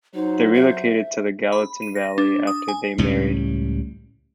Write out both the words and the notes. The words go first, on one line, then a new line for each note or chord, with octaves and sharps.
They relocated to the Gallatin Valley after they married.
F#3 D#4 C5
E5
B5
D#7
A#6
D4
D#6
G#5
C#2 A2 G3 C#4